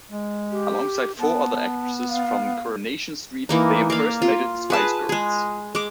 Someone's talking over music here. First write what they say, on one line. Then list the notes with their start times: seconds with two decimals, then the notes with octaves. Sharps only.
Alongside four other actresses from "Coronation Street", they impersonated the Spice Girls.
0.11 G#3
0.51 G4
1.19 B3 A5
2.09 F5
3.49 E3 A#3 D#4
3.90 A#3 D5 F5
4.22 F4
4.70 G#4 B4 A5
5.09 G#3 G#4
5.75 G#3 D6